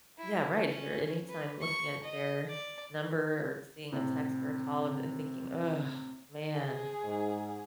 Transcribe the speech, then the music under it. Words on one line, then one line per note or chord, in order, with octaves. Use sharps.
Yeah, right, if you're at any time looking at their number or seeing a text or a call and and thinking, "Ugh, man,"
E4
C#4
B4
C#6
D#5
D5
A2 C3
G#4
G#2